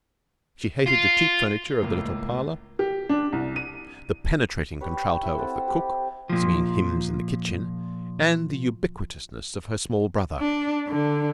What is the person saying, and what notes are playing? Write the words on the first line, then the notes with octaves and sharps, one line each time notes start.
She hated the cheap furniture of the little parlour, the penetrating contralto of the cook singing hymns in the kitchen, and the ubiquitousness of her small brother.
F4
C#2 A2 A#3
G4
D4
C2
D#7
G4 B4 C#5
E4 E6
C4 A4 F#5
G4
A#2 F3
D4
D3